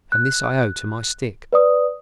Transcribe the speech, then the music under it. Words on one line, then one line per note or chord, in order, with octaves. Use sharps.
And this I owe to my stick.
F#6
B4 D5 D#6